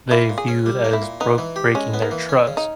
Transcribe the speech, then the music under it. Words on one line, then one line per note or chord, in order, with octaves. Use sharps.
they viewed as broke breaking their trust.
A#3 E4
A#2
G#4
C#4
G3
A#3
E4
A#2
B3 D#4
E3
G4
G#3 C#4
B3
A#3
E3
C#4
C#3
D#4